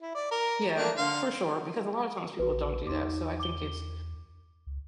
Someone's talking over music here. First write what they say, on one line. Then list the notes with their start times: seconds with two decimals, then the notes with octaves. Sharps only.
Yeah, for sure, because a lotta times people don't do that, so, I think it's
0.02 E4
0.15 D5
0.31 A#4
0.76 A3 A#3 D4
0.97 D3 F5 C6
2.39 A#1 F#4 B4
2.87 E2 D#4 C6 D6
3.40 D6 G7
4.67 C#2